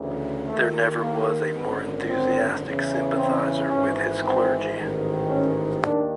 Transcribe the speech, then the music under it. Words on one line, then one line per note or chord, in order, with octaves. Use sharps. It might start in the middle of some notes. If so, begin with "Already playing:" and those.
There never was a more enthusiastic sympathizer with his clergy.
Already playing: D2 C#3 E3
D#2 D#3 A3
A#3
G#1 F#2 D3 B3
C4
E2 C#3 E3
C4
G#1 G#2 E3 C#4
C4
A1 G#2 D#3
C#4
D#2 D#3 D4